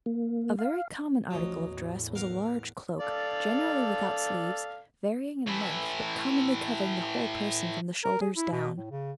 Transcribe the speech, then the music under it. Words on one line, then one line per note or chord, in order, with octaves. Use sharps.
A very common article of dress was a large cloak, generally without sleeves, varying in length, but commonly covering the whole person from the shoulders down.
A#3
F5
A1 D2 F3 F#3 D#5
E2 A2
A#4 F5 F#5
A4 D5 F5
A2 E3
A#4
G#4
E4
B2
A2
C#3